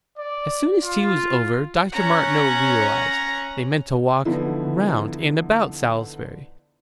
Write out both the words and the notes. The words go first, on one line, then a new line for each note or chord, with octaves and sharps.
As soon as tea was over, Dr. Martineau realized, they meant to walk round and about Salisbury.
D5
F4
C#4 C#5 F#5 A#5
D3 E3 F3 B3 D#4 E4